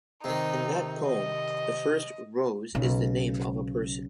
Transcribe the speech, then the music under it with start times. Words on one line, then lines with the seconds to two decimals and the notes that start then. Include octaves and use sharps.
In that poem, the first "Rose" is the name of a person.
0.24 C3 D#3 D#4
1.07 D#5
2.75 B1 C#3